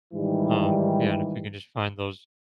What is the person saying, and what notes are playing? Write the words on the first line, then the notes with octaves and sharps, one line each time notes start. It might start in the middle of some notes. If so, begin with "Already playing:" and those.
um, yeah, and if we can just find those,
G#2 D#3 E3 G3